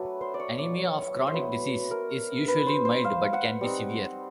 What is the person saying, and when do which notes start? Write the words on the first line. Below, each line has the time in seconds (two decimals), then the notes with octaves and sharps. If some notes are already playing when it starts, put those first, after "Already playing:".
Anemia of chronic disease is usually mild but can be severe.
Already playing: F#3 A3 D4 B4
0.21 C5
0.34 D5
0.40 C#5
0.58 D5
0.78 C#5
1.27 C5
1.34 F#3 B3 E4 B4
1.91 A#4
2.48 B4
2.66 C5
2.85 C5
3.04 F5
3.33 F#5
3.61 G3 C4 D#4